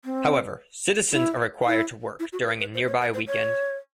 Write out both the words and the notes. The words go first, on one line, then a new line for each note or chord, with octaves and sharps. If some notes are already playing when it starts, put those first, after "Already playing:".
However, citizens are required to work during a nearby weekend.
C4
E4
E4
E4
F#4
A#4
B4
C5
C#5
B4
C5
C#5